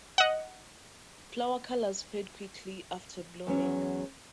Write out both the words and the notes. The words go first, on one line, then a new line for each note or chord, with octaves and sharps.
Flower colours fade quickly after blooming.
D#5 F#5
E2 F#3 C#4